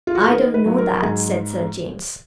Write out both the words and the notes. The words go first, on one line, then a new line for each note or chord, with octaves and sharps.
"I don't know that," said Sir James.
F4
F#4
G#4
D#3 A#4
B4
F#3
A#4
G#2 G#4